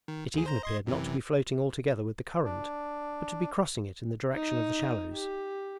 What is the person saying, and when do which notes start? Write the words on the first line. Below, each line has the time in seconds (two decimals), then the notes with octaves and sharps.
It even appeared not to be floating altogether with the current, but to be crossing it in the direction of the shallows.
0.08 D#3
0.34 D2 G#4
0.46 C5 A#5
0.63 D#5 C6 G#6
0.87 F#2 C3 E3
2.45 D4
4.32 D#4
5.13 G4